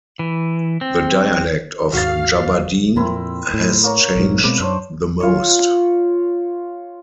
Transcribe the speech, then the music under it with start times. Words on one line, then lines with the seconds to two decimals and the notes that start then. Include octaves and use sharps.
The dialect of Jubb'adin has changed the most.
0.19 E3
0.81 C4
1.93 D#2 G#2 D#3 F#4 F5 A6
2.96 F2 A#2 C4 E4 A#4
3.54 A2
3.83 A#3 C#5 A#5
4.15 B1 F2 G#2
4.44 B2 G#3 C4 B4 D6
4.60 F#2 D4 C5 C#5
5.20 F4 C#5